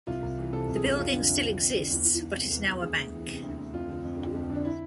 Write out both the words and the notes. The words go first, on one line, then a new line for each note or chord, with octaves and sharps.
The building still exists but is now a bank.
C2 F4
C2
E3
C3 A4
C2
G#4
C2
F2 F4
D3
F2
D3
F2
D3
E2
E2
E3
C3
E2
E2
D2 G#4
D2
E3
C3
D2
D2
F2 F4
D3
F2
D3
F2
D3
D4
E4